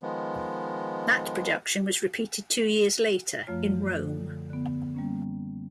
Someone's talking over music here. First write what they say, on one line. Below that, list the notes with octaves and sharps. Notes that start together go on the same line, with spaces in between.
That production was repeated two years later in Rome.
D#3 F3 G#3 B3
F#2 F3 A3 F4 C#5 F6
D3 A4
D3 B3
G3 A#3 C#4